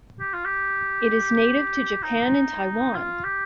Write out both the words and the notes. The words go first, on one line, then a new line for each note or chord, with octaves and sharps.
It is native to Japan and Taiwan.
G4
F4
G4
D#4
F4
G4